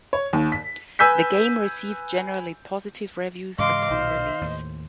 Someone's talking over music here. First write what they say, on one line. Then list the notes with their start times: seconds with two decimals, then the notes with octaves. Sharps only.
The game received generally positive reviews upon release.
0.13 C#5
0.33 D#2
0.52 B6
0.99 B4 G#5 E6 G6 B6
3.58 G#2 C#3 E3 D#5 F5 C6 D6
3.90 B1 A#2 C5
4.41 D#2 A2